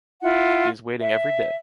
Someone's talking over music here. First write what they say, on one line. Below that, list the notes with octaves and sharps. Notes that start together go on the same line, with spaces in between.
He is waiting every day.
E4 F4 F#5
E5